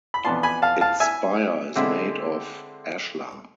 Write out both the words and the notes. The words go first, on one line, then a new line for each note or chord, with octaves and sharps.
Its spire is made of ashlar.
B5
F2 E3 B3 D4 F4 A5 C6
G#5 B5
F5 A5
F5 A5
E5 G#5
D3 G#3 C4 E4